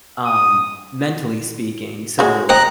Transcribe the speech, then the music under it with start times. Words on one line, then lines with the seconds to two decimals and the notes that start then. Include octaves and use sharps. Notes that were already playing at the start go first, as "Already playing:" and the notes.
um, mentally speaking so
0.25 D#6
2.19 G#3 F#4
2.49 C5 D#5 G5 A#5 F#6